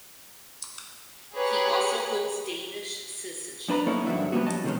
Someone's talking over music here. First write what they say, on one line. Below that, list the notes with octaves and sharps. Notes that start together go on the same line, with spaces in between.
He also holds Danish citizenship.
G4 G#4 B4 C#5 A#5 F#6
F#2 D4 B4 A#5
A#3 B3 C#4 D#4 E4 A4
G2 D3 F3 F#3 D4 E5
G3 A#3 B3 C#4 F#4
A2 F3 D#5 A5
B2 D#3 G3 G#3 C#4